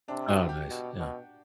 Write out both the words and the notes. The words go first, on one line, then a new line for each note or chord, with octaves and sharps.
Oh, nice. Yeah.
C3 D4
F#4
G4
B2
B2